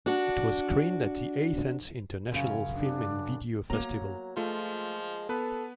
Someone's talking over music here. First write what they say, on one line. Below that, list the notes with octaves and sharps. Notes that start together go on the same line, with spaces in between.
It was screened at the Athens International Film and Video Festival.
D4 F#4
F#2 C#3
D4
F#3 A#3 A#5
F3 G#3 A3 F4
B3 A4 B4